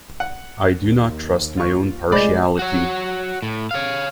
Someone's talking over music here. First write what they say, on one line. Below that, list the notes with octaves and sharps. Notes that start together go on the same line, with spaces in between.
I do not trust my own partiality.
F#5
D#2
F4 C#6
F1 G#3 C5 D5 B5
F#4 C#5
A2
C#5 F5